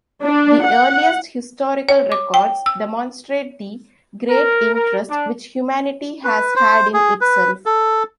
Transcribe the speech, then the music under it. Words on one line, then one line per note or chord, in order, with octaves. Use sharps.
The earliest historical records demonstrate the great interest which humanity has had in itself.
D4
F#5
C#5
D6
G5
E6
A#4
A#4
D4
B4
C5
G#4
B4
A4